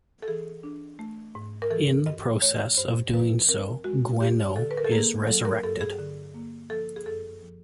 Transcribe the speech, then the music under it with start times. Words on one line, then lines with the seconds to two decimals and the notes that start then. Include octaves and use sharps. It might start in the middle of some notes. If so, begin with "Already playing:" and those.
In the process of doing so, Gwenno is resurrected.
0.22 A4
0.28 E3 G#4
0.63 D4
0.99 A3
1.35 G#2
1.62 A#4
1.70 E3 A4
2.06 G2 D#5
2.42 A3 C#5
2.77 G2 C5
3.13 F3 B4
3.48 C4 A#4
3.84 G#3 F#4
4.21 A2 G4
4.56 D3 A4
4.71 B4
4.77 A#4
4.84 A4
4.92 A#3 G#4
5.27 F#3 A4
5.45 A#4
5.63 G2 A4
5.81 G#4
5.98 D3
6.34 A#3
6.70 F3 A4
6.96 G#4
7.06 F#2 A4
7.42 F3